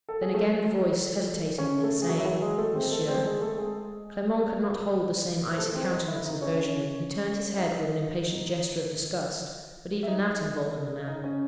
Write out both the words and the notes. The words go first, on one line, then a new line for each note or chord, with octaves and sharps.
Then again the voice, hesitatingly, saying, 'Monsieur!' Clement could not hold the same icy countenance as Virginie; he turned his head with an impatient gesture of disgust; but even that emboldened the man.
A4
G#4
A3 A4
C#4 C#5
A3 A4
G#4
F#3 F#4
E4
F#3 F#4
G#3 G#4
A3 A4
C4 C5
A3 A4
C4 C5
G#3 G#4
A3 A4
G#3 G#4
C5
A3 A4
C4 C5
D#4 D#5
E4 E5
D#4 D#5
C#4 C#5
C#4 C#5
D#4 D#5
E5
D#4 D#5
D#4 D#5
C#4 C#5